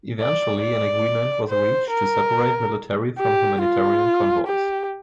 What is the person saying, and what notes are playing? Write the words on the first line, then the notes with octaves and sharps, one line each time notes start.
Eventually an agreement was reached to separate military from humanitarian convoys.
D5
D5
C5
A#4
G4
F4
G4